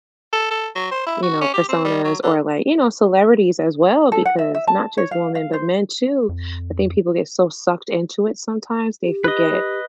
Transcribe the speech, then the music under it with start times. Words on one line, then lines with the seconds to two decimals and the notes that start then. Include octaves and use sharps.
you know, personas or, like, you know, celebrities as well, because not just women but men too. I think people get so sucked into it sometimes they forget
0.32 A4
0.50 A4
0.75 F#3
0.91 C5
1.06 E4
1.22 F#4
1.41 C#4
1.53 G4
1.68 C4
1.84 G3
2.04 F#3
2.23 D3
4.12 A4
4.25 F#5
4.39 E5
4.55 E5
4.67 A5
4.98 C#5
5.11 F5
5.35 F5
5.53 C5
6.29 F2
9.05 G4
9.24 B4 D#5